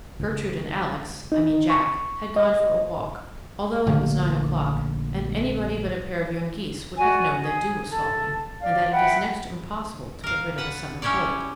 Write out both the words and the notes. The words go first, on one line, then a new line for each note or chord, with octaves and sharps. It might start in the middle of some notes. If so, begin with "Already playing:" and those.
Gertrude and Alex--I mean Jack--had gone for a walk, although it was nine o'clock, and anybody but a pair of young geese would have known that dew was falling, and that it is next to impossible to get rid of a summer cold.
C#2
D#4
C#6
D#5
A#1 D3 A3 A#3
F#4 D5 G#5
G#4
A4
D5 F5
E5 F#5 G5 B5
A#4 F5
B4 F#5 A5
C#4 E4 G4 C#5 D5